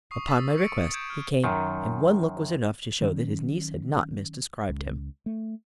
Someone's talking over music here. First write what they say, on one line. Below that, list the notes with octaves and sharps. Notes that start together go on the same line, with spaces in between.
Upon my request he came, and one look was enough to show that his niece had not misdescribed him.
C#6 D#6 C7
D#6 E6 A6 B6
C#6 C#7 D7
G6 G#6 D7 E7
F6
F#2 D#3
D#3 F#3 C#4
C#2
A3